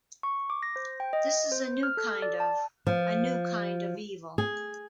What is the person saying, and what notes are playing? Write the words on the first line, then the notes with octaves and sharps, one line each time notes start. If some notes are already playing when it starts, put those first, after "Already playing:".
This is a new kind of -- a new kind of evil.
C#6
D6
A#6
C5
G5
D#5
C5
F6
A4
D5
A5
F3
G#4